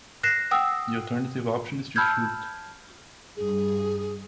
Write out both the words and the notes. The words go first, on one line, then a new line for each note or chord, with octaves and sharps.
The alternative option is to shoot.
F#6 A#6 C7 E7
F#5 G5 D#6 E6
A5 B5 E6 F6 G6 G#6
G2 G#4